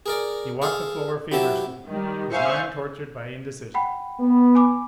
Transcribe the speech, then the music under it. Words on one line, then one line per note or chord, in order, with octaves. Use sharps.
He walked the floor feverishly, his mind tortured by indecision.
G#4 A#4 D5
G#4 A4 F5
C3 F#3 E4 G4 A5
D#3 G3
C5 E5 F5 G#5 C#6
F#5 G5 B5
B3
G#5 B5 D6